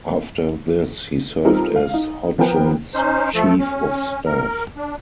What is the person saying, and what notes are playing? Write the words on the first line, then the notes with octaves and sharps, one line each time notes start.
After this, he served as Hodgson's chief of staff.
G3 C4 D#4 F4 A4 A#4
G#3 F5
D#4
F3 B3 A#4 B4 G5
C#4 D#4 C5
F3 A3 A4
C#4
A#4
D4